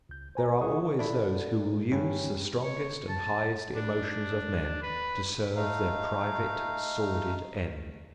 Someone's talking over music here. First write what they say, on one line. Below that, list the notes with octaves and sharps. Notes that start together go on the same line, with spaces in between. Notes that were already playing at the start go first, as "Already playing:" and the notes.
There are always those who will use the strongest and highest emotions of men to serve their private, sordid ends.
C#2 G6
C5 G#5 A#5
E4 F4 G#4 F#5 C#6 D#6
D3 D4 E4
G2 C#4
C#5
A5
D4
B4
A3 D#4 F5